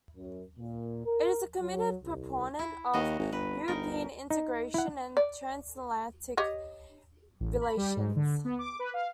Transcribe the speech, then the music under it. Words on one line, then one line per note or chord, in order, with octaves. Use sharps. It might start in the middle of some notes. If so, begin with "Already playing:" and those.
It is a committed proponent of European integration and transatlantic relations.
F#2
A#2
A#4
F#3
C2
E4
D#2 F#4 D#5 F5
G#1
G1 B4
G1 D#4 A#4
D#4
E4 F#5
D5
G4 C#5 D#5
A1
B5
G3
G#2
D3
B3
D6
B4
F5